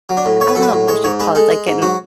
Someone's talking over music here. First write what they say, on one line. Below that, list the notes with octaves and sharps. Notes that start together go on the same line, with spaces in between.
I don't know what you call it, like in
F#3
D4
A2
A2 C#5
B4
F#3 A4
B4
A2
G#3 C#5
G#2 C#5
G#3 B4
G#3 A4
G#3
G#2
F#3 F#4